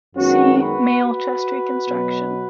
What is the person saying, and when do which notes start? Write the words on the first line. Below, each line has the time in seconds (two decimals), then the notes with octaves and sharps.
See Male Chest Reconstruction.
0.15 F#2 D#3 G#3 B3 C#4 F#4
0.58 F#4 B4
1.01 F#4 B4
1.88 B2 F#3 B3